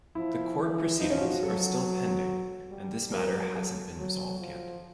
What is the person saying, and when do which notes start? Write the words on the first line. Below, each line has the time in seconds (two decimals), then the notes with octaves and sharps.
The court proceedings are still pending and this matter hasn't been resolved yet.
0.15 F3 E4
0.58 E3
1.00 F3 D#4
1.10 C#4
1.21 F#4
1.32 F#4
1.43 F#3 A4
2.70 G3
3.12 F#3 A#4
3.55 A4
3.97 F#3
4.39 F3